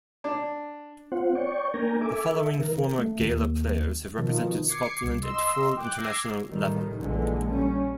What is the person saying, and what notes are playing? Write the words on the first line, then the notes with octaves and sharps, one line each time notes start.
The following former Gala players have represented Scotland at full international level.
D4
C4 F4 C5 F#5
C#5 D5 G5 C#6
A#3 D4 A#4 G5 G#5 A#5
A4 E5 G#5 D6
A4 E5
D#3 A#4
A3
D#2
B2 D#3 F3
D6 G#6 C7 C#7
C2
D#5 C6 E6
G5 D6 F#6
D6 E6 G#6 A#6 C7
A2 D#3 G3
A#1 D3 E3 G#3
G3 C#4